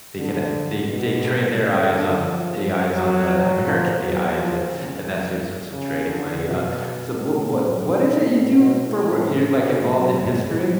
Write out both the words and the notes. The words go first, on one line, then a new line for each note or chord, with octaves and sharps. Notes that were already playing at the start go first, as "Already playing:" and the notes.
they can they they train their eyes on AIs on the American AIs and and that saves them some training money. Uh, so what what what is it you do for wor you're, like, involved in history?
D3
B2
C#3
D3
F3
F#3
F3
F#3
F3
C#3
C#3
D3
B2
A2
B2
A2
B2
A2
B2
F#3
G#3